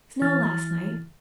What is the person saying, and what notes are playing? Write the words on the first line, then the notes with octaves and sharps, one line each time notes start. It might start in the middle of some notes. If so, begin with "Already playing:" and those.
Snow last night.
E3 E4 F6 A6